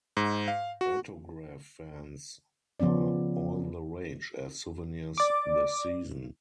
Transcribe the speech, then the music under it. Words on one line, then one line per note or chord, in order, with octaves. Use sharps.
Autograph fans are all the rage as souvenirs this season.
G#2
F5
F#4
C#3 F3 B3 C#4 D5
D5 D6